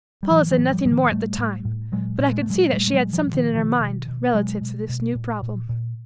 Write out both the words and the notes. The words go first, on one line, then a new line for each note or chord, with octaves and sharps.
Paula said nothing more at the time, but I could see that she had something in her mind relative to this new problem.
G3
A2 E3 F#3
E3 F#3
A2
F3 G3
A2 F#3
D#3 F3
A2 G3 A3
A2
A2
A#2 F#3 G#3
A#2
G#3
A3
A#2 F#3 G#3
A#2 G3 A3
A3
F#3 G#3
A#2
F3 G3
A#2
D#3 F3
B2 D#3 F3
B2
B2
B2 F#3 G#3
B2
B2
A#2
A#2
A#2